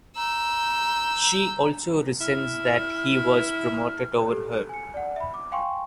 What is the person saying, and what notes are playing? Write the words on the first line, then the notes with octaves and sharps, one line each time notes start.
She also resents that he was promoted over her.
A#5 E6 G6
E4 F6
G4 A4
G#5 C#7
D5 F#5
E5 B5
D6
F5 G5 G#5 C6 C#6